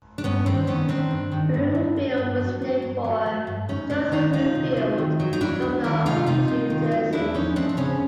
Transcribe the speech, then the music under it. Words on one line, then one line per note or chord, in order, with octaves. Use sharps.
Bloomfield was named for Joseph Bloomfield, governor of New Jersey.
D4
G2 B3 C#4
D#3 C4 D4
D#3 B3 C#4
D#3 C4 D4
G2
D#3
G2
G2
G2
G2
F#3
F#3
G2
F#3
F#3
G2
D2 C#4 D#4
D2 C4 D4
D#3 C#4 D#4
D2 D#4 F4
C3
F#3
D#3
F#3
D#4
F#3 D4 E4
D2
D#3 D4 E4
C3 D#4 F4
C3 D#4 F4
C3
D#3
F#3
E2 D4 E4
F3 C#4 D#4
E2 C4 D4
D4
C#3 B3 C#4